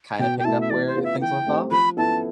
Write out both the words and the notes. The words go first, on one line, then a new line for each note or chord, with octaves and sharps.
kinda picked up where things left off?
B2 G5
G5
A3 E4 A5
E5
E3 D5
C5
B3 F4
E5
E3 G5
A3 C4 G4
F3 B5
B3 E4 A4 A5